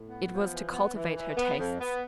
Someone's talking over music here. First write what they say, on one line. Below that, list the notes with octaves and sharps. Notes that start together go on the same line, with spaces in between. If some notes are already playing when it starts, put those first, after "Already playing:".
It was to cultivate her tastes.
Already playing: A2
B3
F3
E3
B3
E3
E3
B3
F2
B3